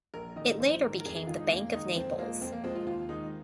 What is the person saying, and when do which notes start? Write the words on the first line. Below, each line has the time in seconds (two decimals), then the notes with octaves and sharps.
It later became the Bank of Naples.
0.14 A#1 A#4
0.36 G#2 D#3 D#5
0.59 A#1 C5
0.82 G#2 D#3 A#4
1.00 A#4
1.05 F2 G#4
1.16 G#4
1.27 D#3 G#3 F4
1.39 D#4
1.50 F2 A#3
1.73 D#3 G#3 D#4
1.96 F2 C4
2.18 F3 G#3 A#3
2.41 F2 C4
2.52 A#3
2.64 F3 G#3 C4
2.76 F4
2.86 D#2 F4
3.09 D#3 G#3 D#4